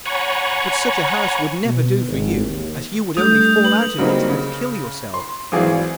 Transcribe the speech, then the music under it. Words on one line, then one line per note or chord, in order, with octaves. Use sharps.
'But such a house would never do for you, as you would only fall out of it and kill yourself.
C#5 F#5 G#5 A#5 B5 C#6
B2
G#1
D#2
G3 A3 D4 D#6 G6
A3
B4 F#7
C#3 F#3 G3 A#3 C4 D#4
C#3
C6
G#1 E3 F#3 G#4 D5 F5